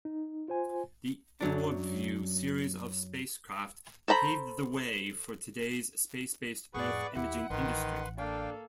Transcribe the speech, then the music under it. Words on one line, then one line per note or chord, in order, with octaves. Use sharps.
The OrbView series of spacecraft paved the way for today's space-based Earth imaging industry.
D#4
F4 C5 G#5
F#2 F#3 D4
A4 C5 A#5 B5
F2 A2 G#4 B4 D5 F#5 C#6
D#2 E4 G4 F#5
A1 D#3 B4 C6
A#3 D4 A4 F5 G5